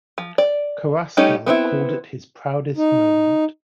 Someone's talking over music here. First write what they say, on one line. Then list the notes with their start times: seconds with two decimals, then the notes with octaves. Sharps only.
Carrasquel called it his proudest moment.
0.18 F3
0.38 D5
1.17 G3 A3 C#4 D#4 G4
1.46 B3 C4 D4 E4
2.77 D#4